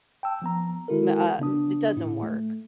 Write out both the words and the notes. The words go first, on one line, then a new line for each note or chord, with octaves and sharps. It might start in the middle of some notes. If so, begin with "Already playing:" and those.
ma uh, m it doesn't work.
G5 A5 E6
F3 B3 A#5
D#3 G#3 E4 F#4 A4 A#4
C#3 B3 D4 D#6
A2 E4
A3